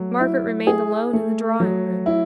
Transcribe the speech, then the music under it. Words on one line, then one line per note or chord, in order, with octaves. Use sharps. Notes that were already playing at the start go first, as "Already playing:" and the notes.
Margaret remained alone in the drawing-room.
Already playing: F#3 A3
E4
G#4
A3
F#3
E4